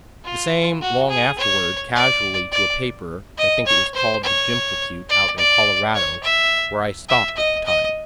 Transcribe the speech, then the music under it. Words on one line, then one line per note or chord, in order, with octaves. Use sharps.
The same long afterward, casually, to a paper--I think it was call'd the "Jimplecute"--out in Colorado where I stopp'd at the time.
F4
F#4
G#4
C#5
D5
D5
D#5
C#5
C5
C#5
D5
D5
C#5
E5
E5
D#5
D#5